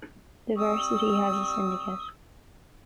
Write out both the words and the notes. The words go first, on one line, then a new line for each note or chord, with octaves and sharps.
The varsity has a syndicate.
G3 C4 C#6 D#6 E6